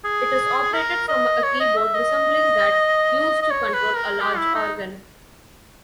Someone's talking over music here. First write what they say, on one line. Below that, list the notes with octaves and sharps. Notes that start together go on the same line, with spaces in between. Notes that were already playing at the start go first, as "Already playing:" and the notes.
It is operated from a keyboard resembling that used to control a large organ.
G#4
A#4
D#5
C#5
D#5
E5
D#5
D#5
C#5
B4
A#4
G4
E4
D#4